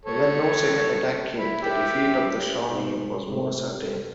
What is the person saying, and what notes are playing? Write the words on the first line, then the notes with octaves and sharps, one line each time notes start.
When no second attack came, the defeat of the Shawnee was more certain.
A4 C#5
E4
G4 E5
G#2
C3
A4